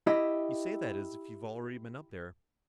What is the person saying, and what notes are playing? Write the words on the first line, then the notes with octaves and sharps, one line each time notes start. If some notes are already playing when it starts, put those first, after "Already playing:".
"You say that as if you've already been up there."
E4 G4 D#5